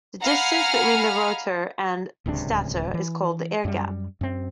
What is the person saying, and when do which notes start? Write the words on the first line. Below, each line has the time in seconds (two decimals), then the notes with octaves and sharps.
The distance between the rotor and stator is called the air gap.
0.23 F5 F#5 G#5 A#5 B5 F6
2.26 D1 C#2 C3 D4
2.94 E3
3.65 F#2 G3
4.21 F#2 C4